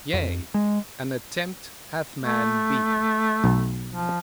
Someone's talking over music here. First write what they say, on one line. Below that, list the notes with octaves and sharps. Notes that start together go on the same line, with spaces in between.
Yea, an attempt hath man been.
F2
G#3
A3
B1
F3